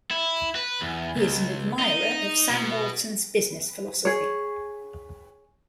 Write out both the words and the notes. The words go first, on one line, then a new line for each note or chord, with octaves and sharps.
He is an admirer of Sam Walton's business philosophy.
E4
B4
E2
C#2
D#4
B2
G#4 C#5